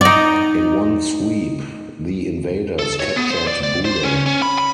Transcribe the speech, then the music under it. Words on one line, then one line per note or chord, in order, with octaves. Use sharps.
In one sweep, the invaders captured Buda.
D#4 D5
A4
C#5
B3
C5
D5
D5
C5
C#4
C#4
B5
B5